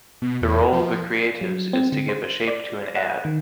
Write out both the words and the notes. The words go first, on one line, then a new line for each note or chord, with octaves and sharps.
The role of the creatives is to give a shape to an ad.
B2
E2
F3
F#3
C4
D3
C5
D5
F#5
D#3